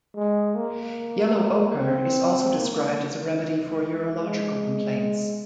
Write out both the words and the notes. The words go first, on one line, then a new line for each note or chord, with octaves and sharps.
Yellow ochre is also described as a remedy for urological complaints.
G#3
A#3
C4
A#3
G#3